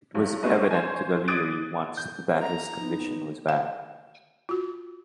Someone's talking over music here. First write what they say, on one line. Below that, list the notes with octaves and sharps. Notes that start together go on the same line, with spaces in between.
It was evident to the leery ones that his condition was bad.
G2 F#3
G#3 A3 D4 F#4 B4 D#5
C5 C#5 G#5
D6 D#6 F#6 G#6 A6 D7
G6
A#5
B3 D#4
F5
F4 F#4